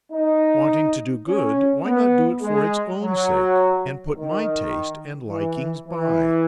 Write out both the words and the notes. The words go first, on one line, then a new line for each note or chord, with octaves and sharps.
Wanting to do good, why not do it for its own sake, and put my tastes and likings by?'
D#4
C#4
B3
G#3
F#3
D#3
E3
E3